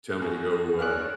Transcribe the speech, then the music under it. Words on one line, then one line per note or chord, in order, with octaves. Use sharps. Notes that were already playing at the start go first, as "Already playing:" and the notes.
tell me to go, uh,
F#2 F#4 G#4
A#4 C#5 D5 F5 G#5 F6 F#6